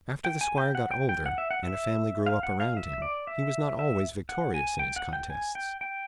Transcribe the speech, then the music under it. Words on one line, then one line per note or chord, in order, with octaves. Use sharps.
After the squire got older, and a family grew up around him, he was not always victorious in his contests.
G5
G#5
G5
F#5
G5
G5
F#5
E5
F#5
E5
F5
F#5
F5
E5
D5
E5
E5
F#5
G#5
G5
F#5
G5
G#5
G5
G5